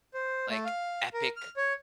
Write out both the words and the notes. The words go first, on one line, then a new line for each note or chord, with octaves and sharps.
like, epic
C5
A3
F5
A#4
F6
C#5